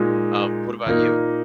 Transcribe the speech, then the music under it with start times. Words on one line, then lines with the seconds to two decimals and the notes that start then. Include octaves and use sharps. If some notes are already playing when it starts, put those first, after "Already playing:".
Um, what about you?
Already playing: A#2 G#3 D#4
0.86 A#2 A#3 D#4